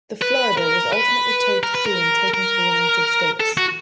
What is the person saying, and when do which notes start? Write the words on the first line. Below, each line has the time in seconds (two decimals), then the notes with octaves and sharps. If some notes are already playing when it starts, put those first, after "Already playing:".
The "Florida" was ultimately towed to sea and taken to the United States.
0.22 B4
0.58 A#4
0.93 B4
1.63 A#4
1.75 B4
1.86 A#4
2.34 A#4
3.40 A4
3.58 F#4